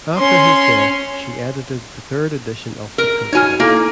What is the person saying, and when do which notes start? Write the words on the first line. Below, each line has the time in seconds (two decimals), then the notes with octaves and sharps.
After his death she edited the third edition of the "Principles".
0.17 C#4 C6
2.98 A#4
3.33 D#4 F#4 C#5 G#5 F6
3.60 A#3 E4 A4